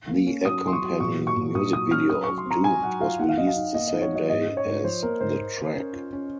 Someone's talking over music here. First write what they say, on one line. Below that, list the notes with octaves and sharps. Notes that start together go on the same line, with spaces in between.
The accompanying music video of "Doomed" was released the same day as the track.
A#3
C#4
F#3 D#6
F#3 C6
C#6
F#3
A#2 C#6
F#3
C#6
A#2
A#2 D#6
F#3 D#6
C#4 F6
F#3 D#6
C#6
F#3
C6
C4 A#5
F#3 G#5
F#3 F#5
F4 F5
A#3 F#5
F5
F#3 D#5
F5
D#4
A#3 D#5
D#5
D#4
C#5
F#3 D#5
G#2 D#5
C#4
C#5
G#2
F3 C5
A#3 A#4
G#2 C5
A#4
A#4
C#4
F4
C#4